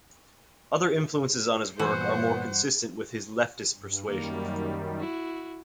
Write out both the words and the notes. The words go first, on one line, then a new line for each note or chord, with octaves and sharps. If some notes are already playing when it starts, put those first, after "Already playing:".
Other influences on his work are more consistent with his leftish persuasion.
G2 A#2 E3 B3 F#4 C5 F#5
G2
F#2 D#3 G3 A#3
E4 F#4